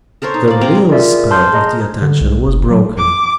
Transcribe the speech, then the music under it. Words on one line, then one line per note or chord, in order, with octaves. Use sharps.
The real spell of the attention was broken.
A4 A#4 C5 C#5
D#4
A#3 D5
C3 C4 A#5 D6
F4 G#4 A#4 D5 E5
A5 C6 F6 G6
G#4 D#5 A#5
D3
C2
F#1
F#3
D6